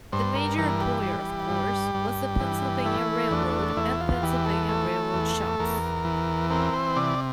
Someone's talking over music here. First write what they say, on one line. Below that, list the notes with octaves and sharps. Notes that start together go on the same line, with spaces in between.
The major employer, of course, was the Pennsylvania Railroad and Pennsylvania Railroad Shops.
G2 C5
A#4
E3 A#4
G4
G3
G2
G2
E3
A3 E4
E2 D4
E2 E4
F4
E3 G4
A4
A3
E2
E2 A#4
E3
C4 A#4
C5
C3 D5